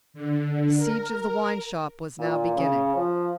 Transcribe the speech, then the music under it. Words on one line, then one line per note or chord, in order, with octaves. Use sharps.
The siege of the wine-shop was now beginning.
D3
A#4
A#2
C#3
F3